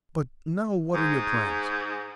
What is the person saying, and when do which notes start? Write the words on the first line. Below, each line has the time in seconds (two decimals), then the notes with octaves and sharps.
But now what are your plans?
0.95 G#2